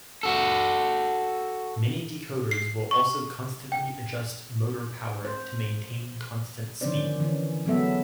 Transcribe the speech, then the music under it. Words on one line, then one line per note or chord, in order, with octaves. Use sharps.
Many decoders will also constantly adjust motor power to maintain constant speed.
F#4 A4
C7
C#6
G5
C5
D3 D#3 F3 C#4 C5 D5
D3 E3 C#4
F#3 G#3 B3 A4 E5